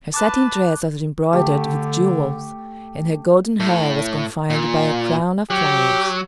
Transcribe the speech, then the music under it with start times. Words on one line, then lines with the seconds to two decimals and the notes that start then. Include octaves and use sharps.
Her satin dress was embroidered with jewels, and her golden hair was confined by a crown of flowers.
0.14 B4 A5 D6 F#6
1.33 D3 A3 G4
3.60 A2
4.50 A#2
5.50 F#3 G4